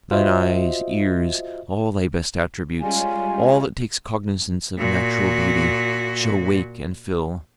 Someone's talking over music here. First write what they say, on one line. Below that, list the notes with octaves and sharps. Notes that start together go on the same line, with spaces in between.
Thine eyes, ears--all thy best attributes--all that takes cognizance of natural beauty, Shall wake and fill.
F4 F#4 C5 D#5 E5
G3 G#3 C#4 F4 G#5
A#2 F#4